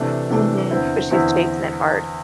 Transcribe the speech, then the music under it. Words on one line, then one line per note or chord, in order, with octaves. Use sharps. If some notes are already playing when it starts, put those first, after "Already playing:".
Mhm, but she's chasing it hard.
Already playing: C3 E3 A3 D4
C3 E3 A3 D4
E2 D3 C4 E4
E2 D3 C4 E4